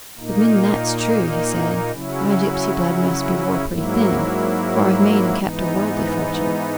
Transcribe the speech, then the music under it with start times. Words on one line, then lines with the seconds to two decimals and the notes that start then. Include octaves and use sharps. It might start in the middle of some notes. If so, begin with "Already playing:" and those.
'Admettin' that's true,' he said, 'my gipsy blood must be wore pretty thin, for I've made and kept a worldly fortune.'
0.17 A#2 A#3 D#4
1.91 C#3 F#3 C#4 E4
3.65 G#2 F#3 A#3 E4
5.38 G#2 E3 B3 D#4